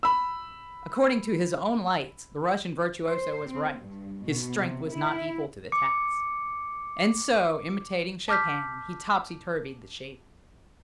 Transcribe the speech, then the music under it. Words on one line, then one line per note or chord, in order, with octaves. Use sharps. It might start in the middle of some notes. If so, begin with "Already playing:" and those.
According to his own lights the Russian virtuoso was right: his strength was not equal to the task, and so, imitating Chopin, he topsy-turvied the shading.
B5 E6
C5
C4
G2
B2
C3
E4
D6 C#7
A5 D6 F6 G6 B6